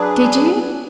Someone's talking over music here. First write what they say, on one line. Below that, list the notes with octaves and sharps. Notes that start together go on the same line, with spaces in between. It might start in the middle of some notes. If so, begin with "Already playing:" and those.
Did you?
Already playing: F#3 D4 G#4 B4